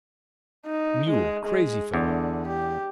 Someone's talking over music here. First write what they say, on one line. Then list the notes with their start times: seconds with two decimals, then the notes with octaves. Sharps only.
Mule! Crazee fellow!
0.66 D#4
1.10 G#3
1.46 G#3
1.94 E2 D3
2.47 G4